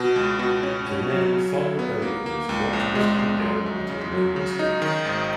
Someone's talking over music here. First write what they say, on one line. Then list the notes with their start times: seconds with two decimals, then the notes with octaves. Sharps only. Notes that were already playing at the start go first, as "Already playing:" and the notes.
The man, followed by the others, walked briskly down on to the landing-stage.
Already playing: B2
0.16 C#2
0.39 B2
0.63 C#4
0.86 C#4
1.10 F#3
1.33 C#3
1.55 E4
1.79 B3
2.02 A#3
2.26 A#3
2.49 C#2
2.73 A#1
2.95 G#3
3.19 G#3
3.42 F#2
3.66 F#2
3.89 C#3
4.12 F#3
4.36 C#3
4.59 D#4
4.82 D#3
5.05 G#1